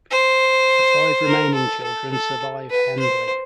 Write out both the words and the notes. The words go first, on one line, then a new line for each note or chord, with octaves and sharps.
The five remaining children survive Handley.
C5
A#4
A4
A4
A4
B4
C5